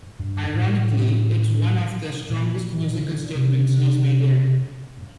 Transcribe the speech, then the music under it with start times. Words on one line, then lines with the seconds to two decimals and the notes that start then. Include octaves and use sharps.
Ironically, it's one of the strongest musical statements he's made yet.
0.19 G2
0.54 A2
2.30 A#2
3.00 D3
3.35 C3